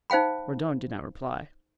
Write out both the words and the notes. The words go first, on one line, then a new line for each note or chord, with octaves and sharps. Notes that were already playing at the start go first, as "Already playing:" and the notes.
Mordaunt did not reply.
D#4 C5 F5 G5 B5